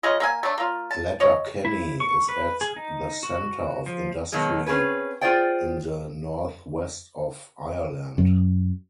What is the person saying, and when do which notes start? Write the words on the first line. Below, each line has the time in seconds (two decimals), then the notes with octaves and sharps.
Letterkenny is at the centre of industry in the northwest of Ireland.
0.03 C#3 F4 G#4 D#5
0.20 A#3 E5 G#5
0.43 A3 D4
0.58 A#3 F4
0.91 A5
1.20 C#5 D#5
1.65 E4
2.00 C#6
2.29 B4
2.61 G#4
2.76 D#4
3.23 F#4
3.86 F3
4.32 B2 D#3 F#3 G#3
4.66 C4 C#4 G#4 B4
5.21 F4 G#4 C5 D5 G5
8.18 F#2